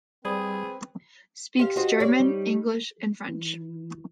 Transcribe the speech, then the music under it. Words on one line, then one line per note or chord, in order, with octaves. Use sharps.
Speaks German, English and French.
G3 C4 G#4 B4 C5 B5 D#6
G4 C5 F5
D#4 F#4 C5
C#5 D5
G3 D#4
E3